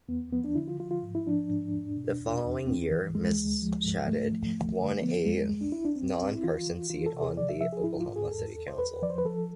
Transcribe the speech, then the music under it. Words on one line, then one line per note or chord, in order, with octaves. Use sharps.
The following year, Mr. Shadid won a non-partisan seat on the Oklahoma City Council.
E2 B3
F3 B3
D4
D3 E4
F4
F3 F4
F4
G#2
E4
F3 D4
G#2
E2
B2
E2
E2
D2 C4
E3
D2 G#3
D2
F3
G#2
G#2 A3
F3
F2
D3
F3 B3
F2 G#3
C2 G#3
D4
C2 E4
D4
C2 C4
C2
E4
E3 F4
E3
E3 F4
A4
C3
G#4
F3 D5
E5
F3 E5
G#4
G#2 E4
F4
G#2
G#4
E2 A4
E2
C5
E2 B4
F3 D5
C5
B4
F3 A4